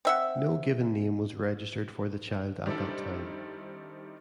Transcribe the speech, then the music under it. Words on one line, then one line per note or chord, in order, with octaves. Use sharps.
No given name was registered for the child at that time.
C4 E5 F#5
D#3 G3 C4 D4 E4 A4